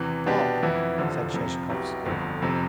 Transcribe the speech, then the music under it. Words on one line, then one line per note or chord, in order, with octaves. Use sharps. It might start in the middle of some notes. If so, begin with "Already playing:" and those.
"Stop!" said Sheshkovsky.
Already playing: E2 C3 E3
B2 B3 D4 G4
F2 E3 B3 E4
F1 E2 D3 F3
F2 C3 F3
B1 B2 B3 E4 G4
G1 F2 D3
F1 F2 C3